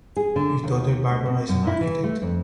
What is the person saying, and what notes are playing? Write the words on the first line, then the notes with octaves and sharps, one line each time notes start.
His daughter Barbara is an architect.
G#4
D3
D#2
D2
C3
F#2
E4
E3
A3
F2